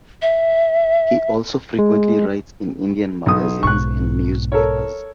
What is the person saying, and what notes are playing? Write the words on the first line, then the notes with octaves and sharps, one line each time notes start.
He also frequently writes in Indian Magazines and News Papers.
E5
G#3
B1 D#6
B1 G#2 C#6 F#6
A4 A#4 C#5